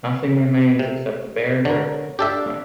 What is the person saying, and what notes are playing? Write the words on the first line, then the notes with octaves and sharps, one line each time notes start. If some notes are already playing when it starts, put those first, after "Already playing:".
Nothing remains except bare dirt at the site.
C3
D3 A#4 C#5
D4 F4 G4 A4 E5